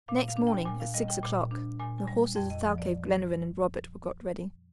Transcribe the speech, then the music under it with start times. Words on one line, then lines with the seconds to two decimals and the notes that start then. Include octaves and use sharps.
Next morning, at six o'clock, the horses of Thalcave, Glenarvan and Robert were got ready.
0.08 A#2 F5
0.28 F5
0.37 D4
0.47 G5
0.65 A#2 G#5
0.80 F5
0.94 G3 D#5
1.08 G5
1.23 A#2
1.51 D4
1.79 A#2 G#5
1.98 G#5
2.07 G3
2.36 F2 G5
2.50 D#5
2.64 F3
2.78 D5